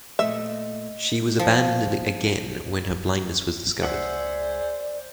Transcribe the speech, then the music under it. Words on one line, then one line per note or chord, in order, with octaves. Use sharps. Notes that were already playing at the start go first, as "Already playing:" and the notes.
She was abandoned again when her blindness was discovered.
A#2 A3 D#5 E5
F3
C#2 G#4 C5 D5 E5 F#5